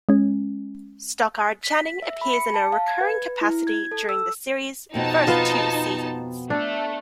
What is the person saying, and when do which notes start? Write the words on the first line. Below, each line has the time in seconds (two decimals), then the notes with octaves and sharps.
Stockard Channing appears in a recurring capacity during the series first two seasons.
0.09 G#3 C#4
1.64 B6
2.02 E5
2.21 B5
2.33 C#7
2.54 A5
2.72 F5
2.88 G#6
3.01 B4
3.41 E4
3.67 G#6
3.92 A4
4.09 E6
4.94 F2 B2 C4 D#4 A5
5.27 B3 F4 D#5
6.50 A3 D4